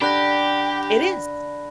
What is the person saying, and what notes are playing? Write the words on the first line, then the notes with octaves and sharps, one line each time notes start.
it is.
D3 G4 G5 B5 F#6 A#6